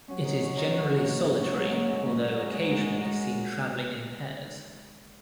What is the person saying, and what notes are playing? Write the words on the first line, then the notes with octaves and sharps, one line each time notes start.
It is generally solitary, although occasionally seen travelling in pairs.
F#3 C#4
D#3
F#3 C#4
D#3
F#3 C#4
G#2
F#3 A#3 C#4
G#2
F#3 A#3 C#4
G#2
F#3 A#3 C#4
G#2
F#3 A#3 C#4
G#2
G#3 F#4 A#4
G#2
G#3 F#4 A#4
G#2
G#3 F#4 A#4